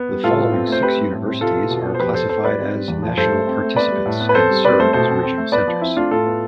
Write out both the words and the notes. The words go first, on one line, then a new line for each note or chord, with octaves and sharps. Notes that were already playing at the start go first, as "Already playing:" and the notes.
The following six universities are classified as "national participants" and serve as regional centers.
Already playing: B3
G3
A2 F4 A4
B3
C4
A3 C5
C4 G4 B4
G3
A2
C4
C3 F4 A4
B3
B2
B3
C5
F2 G4 B4
B3 A4 C5
B3 A4 C5
G3 B4 D5
C4
G3
E2
F3
G2 A4 C5
A3
C4
A3
B3 B4 D5
G3
A2
B3
B4
C4 A4 C5
G3
C4 B4 D5
A3 A4 C5
B2 A4 C5
C4
C4
A3
B3 B4 D5
F3
C4 E4
A3 D4 F4
A2 F4 A4
B3